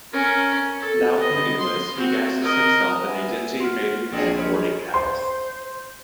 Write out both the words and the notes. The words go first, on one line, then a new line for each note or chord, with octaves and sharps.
Now penniless, he gasses himself in a dingy Maidenhead boarding house.
C#4 A#4
A4
B3 D#5
C6
C4 F#4
A#4 D#5
B4 E5 F#5 G#5 E6
F#4 C6 F6
A#1 C4 D4 G#4 D#5 C#6
G#3 C#4 C5 B5
C5 C6